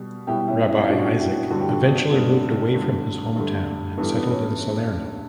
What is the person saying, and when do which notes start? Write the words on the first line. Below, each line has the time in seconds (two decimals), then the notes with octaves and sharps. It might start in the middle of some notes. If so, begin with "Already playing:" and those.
Rabbi Isaac eventually moved away from his home town and settled in Salerno.
Already playing: B2 G3
0.27 B2 G3 E4 G4
0.48 C#4 E4
0.68 C#4 E4
0.89 B2 G3 D4 F#4
1.20 E4 G4
1.50 G2 D3 A3 F#4
1.61 G4
1.69 D4 F#4
1.81 B3 D4
2.12 G2 D3 A3 B3 D4
2.74 G2 D3 A3
3.35 G2 D3 A3
3.97 G2 E3 A3 B3
4.16 B3
4.29 C#4